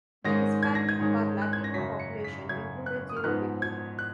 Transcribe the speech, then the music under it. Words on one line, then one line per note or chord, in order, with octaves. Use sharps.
The Hispanic or Latino population included zero people.
G#2 D#3 G#3 C#4 A#6
G#6
A#6
G#6
G#2 D#3 G#3 C#4
F#6
G#6
A#6
F#2 C#3 F#3 B6
C#7
B6
F#2 C#3 F#3 G#6
F#6
D#6
F6
G#2 F3 B3 D#4 F#6
G#6
F#6